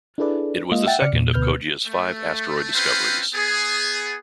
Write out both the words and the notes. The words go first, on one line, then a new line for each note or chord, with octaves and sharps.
It was the second of Coggia's five asteroid discoveries.
D4 E4 G#4 A4 B4 D5
G#3 A#3 F4 D#5
E5 F#5 G5 A6
C#3 D5 F6 C#7
E2 A#2
D2 B2 B4 F6 G6
A3
C4 C#4 F4 B4 C5
B3 G#4